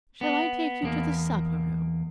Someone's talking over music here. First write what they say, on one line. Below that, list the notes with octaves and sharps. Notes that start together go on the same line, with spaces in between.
Shall I take you to the supper-room?'
B3
E2 A#3